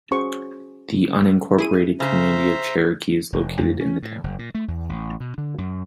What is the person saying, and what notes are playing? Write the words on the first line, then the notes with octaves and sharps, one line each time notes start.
The unincorporated community of Cherokee is located in the town.
C#4 F#4 G#4 C5 C#6
E4 G#4 D#7
C#3 C5 E5 A#5
F1
F2
C#4
A2
F#1
A#2
A3
E2
A1
B2
D3
F#2